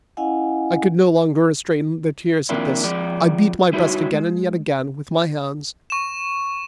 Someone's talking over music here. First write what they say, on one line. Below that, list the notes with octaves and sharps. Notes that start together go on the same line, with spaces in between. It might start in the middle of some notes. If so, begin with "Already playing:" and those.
I could no longer restrain the tears, at this; I beat my breast again and yet again, with my hands.
C#4 E4 D#5 F5 F#5 G#5
D#3 F3 A#3 C4 D4 E4
F2 F3 G#3 D5
G3 D#4 E4 F#4 B4 C#5
G#3
C#6 E7